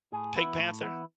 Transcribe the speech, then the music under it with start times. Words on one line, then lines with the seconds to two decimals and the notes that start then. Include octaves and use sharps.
The Pink Panther?
0.12 A2 G#4
0.36 E3 B3 E4
0.58 A2
0.81 E3 B3 E4